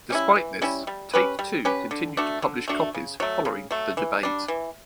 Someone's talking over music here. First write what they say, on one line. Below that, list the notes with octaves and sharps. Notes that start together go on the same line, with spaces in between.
Despite this, Take-Two continued to publish copies following the debate.
G3 C#4 E4
E3
G3 C#4 E4
G3
C#4 G4 B4
G3
C#4 G4 B4
D3
A3 D4 F#4
D3
A3 D4 F#4
C#3
F#3 A3
C#3
F#3 A3
E3
G3 D4
E3